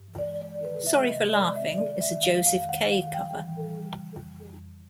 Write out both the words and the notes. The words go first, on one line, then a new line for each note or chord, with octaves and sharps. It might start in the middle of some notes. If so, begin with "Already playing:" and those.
"Sorry for Laughing" is a Josef K cover.
Already playing: G2
E3
D5
G#3
G#3 D5
D#3
B4
C3
E5
G#3
C3 D#5
G#3
D5
G#3
E5
D#3
D#3 D5
D#3
E5
D#3
F5
G#3
F2 F5
D#3
F#5
D#3
D#3 F5
G3 G5
E3
A2
G3
C#3
C#3
F2
F2
F2